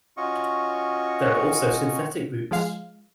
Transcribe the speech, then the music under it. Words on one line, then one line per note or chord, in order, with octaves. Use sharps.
There are also synthetic boots.
C#4 F4 F#4 D#5 C#6
F3 G#3 F5